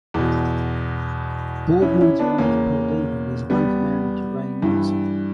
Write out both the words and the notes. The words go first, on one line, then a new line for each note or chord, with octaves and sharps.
Boardman's wife, Perdita, was once married to Ray Nelson.
E2 B2
C#4 E4
C#4 E4
B3 D4
E2 C#3 E3 A#3 C#4
G3 B3
G2 E3